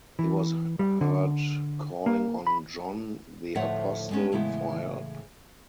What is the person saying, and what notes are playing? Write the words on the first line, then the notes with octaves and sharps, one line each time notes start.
He was heard calling on John the Apostle for help.
E3
G3
D3
A#3
B5
D2 A2 F3 C#5 E5 F#5
G#3 B3 C#4
A2 C#3 E3 G#3 B3 E4